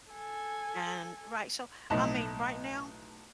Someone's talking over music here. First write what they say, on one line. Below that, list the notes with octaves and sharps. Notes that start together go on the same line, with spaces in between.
And right, so, I mean, right now,
A4 G#5
B1 A2 D#4